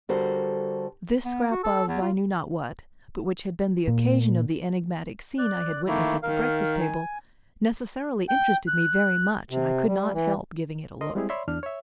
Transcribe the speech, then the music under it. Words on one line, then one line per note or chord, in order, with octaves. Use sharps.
This scrap of I knew not what, but which had been the occasion of the enigmatic scene I had witnessed at the breakfast-table, necessarily interested me very much and I could not help giving it a look.
D3 G3 F#4 A4 A#4 C5
B3
F#4
A4
E2
F4
A#2
D5 F#6
D#3 A3 A#3 E4
D#3 A#4 F5
G#5
G5
F#6
C3
G3
E3
A#4 D#5 C6
G3 G#3 C4 E4 G4 G#4
C#5 D5 E5 B5 C6
E2 D4 F6
C#5 E5